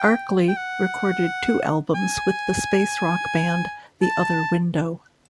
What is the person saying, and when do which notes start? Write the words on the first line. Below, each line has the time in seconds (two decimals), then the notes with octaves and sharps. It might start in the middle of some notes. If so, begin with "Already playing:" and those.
Arkley recorded two albums with the space rock band The Other Window.
Already playing: G5
0.48 G5
0.57 F#5
1.95 G#5
4.02 A5